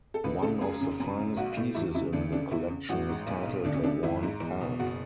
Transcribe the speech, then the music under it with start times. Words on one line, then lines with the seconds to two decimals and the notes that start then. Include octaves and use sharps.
One of the finest pieces in the collection is titled A Worn Path.
0.14 A4
0.24 C#2 B4
0.42 C#3 A4
0.61 F#2 G#4
0.81 C#3
1.00 F#2
1.18 C#3
1.37 B1 F#4
1.57 A2
1.75 E2 E4
1.94 C#3 E4
2.13 D2 D4
2.32 C#3 D4
2.51 E2 E4
2.70 C#3
2.89 A1 F#4
3.09 G#2
3.26 B1
3.45 B2
3.64 D2 D4
3.75 C#4
3.83 C#3 D4
4.03 G#1 E4
4.23 G#2
4.40 E2
4.61 B2
4.79 F#1 F#4